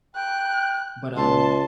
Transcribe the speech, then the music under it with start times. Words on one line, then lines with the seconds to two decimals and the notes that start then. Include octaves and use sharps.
but, um
0.15 G5 F#6
1.17 C#2 A5 C6